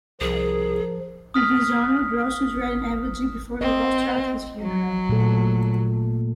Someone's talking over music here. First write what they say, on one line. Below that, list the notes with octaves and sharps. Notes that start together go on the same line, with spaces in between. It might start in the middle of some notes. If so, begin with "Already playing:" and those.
In his honor, Drusus read a eulogy before the rostra at his funeral.
C2 F3 G#4 A#4
D#6 F6 B6
C4 D#5
F#3
A#2 A3 A4